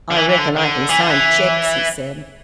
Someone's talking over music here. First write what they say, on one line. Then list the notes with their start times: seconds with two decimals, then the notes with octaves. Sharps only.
"I reckon I can sign cheques," he said.
0.10 D3
0.16 E3
0.29 E3
0.38 D3
0.56 D3
0.89 E3
1.00 D3
1.10 E3